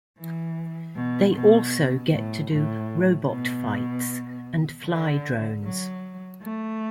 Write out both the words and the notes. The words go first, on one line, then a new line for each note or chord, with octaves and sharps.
They also get to do "robot fights" and fly drones.
E3
B2
B2
A2
A2
B2
D3
F#3
A3